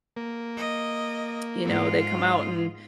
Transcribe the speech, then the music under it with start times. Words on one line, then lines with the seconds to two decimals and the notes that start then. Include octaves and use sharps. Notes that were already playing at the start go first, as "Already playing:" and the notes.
you know, they come out and
0.17 A#3
0.57 D#5
1.64 G#2 F4